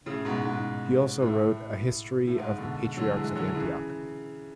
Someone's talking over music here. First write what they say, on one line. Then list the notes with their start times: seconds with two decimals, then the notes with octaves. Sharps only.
He wrote also a "History of the Patriarchs of Antioch".
0.06 A2 C#3
0.25 G#2 B2
0.45 G#2
1.22 A2
2.27 A2
2.38 G#2
2.58 B2 D3
2.97 D3 F#3
3.16 E3 G#3
3.35 D3 F#3
3.55 C#3 E3